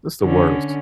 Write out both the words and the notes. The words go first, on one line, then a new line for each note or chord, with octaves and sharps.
It's the worst.
D3 C#4